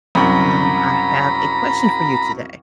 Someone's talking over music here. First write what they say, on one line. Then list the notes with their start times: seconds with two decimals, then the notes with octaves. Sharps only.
Um, I have a question for you today.
0.15 C2 F#2 A#5 B5